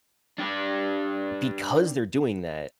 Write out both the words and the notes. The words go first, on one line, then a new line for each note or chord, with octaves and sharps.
because they're doing that,
D4 G4